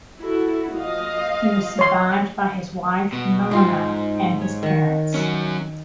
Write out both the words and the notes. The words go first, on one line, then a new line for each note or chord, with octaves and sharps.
He was survived by his wife, Myrna, and his parents.
E4 F#4 A4
F3 D#5 F5
C#5 C6
B2
G#2 D#4 F4 F5
C#5
D#3 F#5 C#6
F#3 C#4